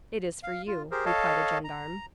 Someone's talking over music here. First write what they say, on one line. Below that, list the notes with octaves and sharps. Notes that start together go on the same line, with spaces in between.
"It is for you," replied a gendarme.
F5
F4
G4 G#4 A#4 C5
A4 C#5 D#5 F5 A5
A#5